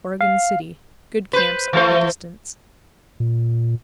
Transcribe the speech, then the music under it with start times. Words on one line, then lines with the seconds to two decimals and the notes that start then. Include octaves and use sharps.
Oregon City.--Good camps all the distance.
0.21 F5
1.33 B4 C5
1.73 E3 A3 C5
3.20 A#2